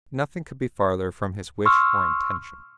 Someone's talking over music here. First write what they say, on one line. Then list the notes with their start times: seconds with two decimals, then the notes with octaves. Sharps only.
Nothing could be farther from his wish or intention.
1.66 C6 C#6 E6 F6